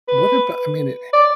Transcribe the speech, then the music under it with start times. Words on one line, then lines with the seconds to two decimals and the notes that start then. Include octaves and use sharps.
what abou I mean, eh
0.08 B4
1.13 D5